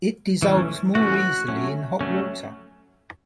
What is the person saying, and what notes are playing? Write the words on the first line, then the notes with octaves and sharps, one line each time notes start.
It dissolves more easily in hot water.
E3 A3 C#4
E3 A3 C#4 F#4
F#3 A3 C#4
F#3 A3 C#4